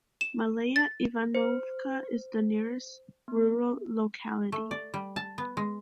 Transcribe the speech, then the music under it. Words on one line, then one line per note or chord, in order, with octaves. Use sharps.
Malaya Ivanovka is the nearest rural locality.
E7
A6
C5
B3
A3
D5
G3
A5
B3
G#3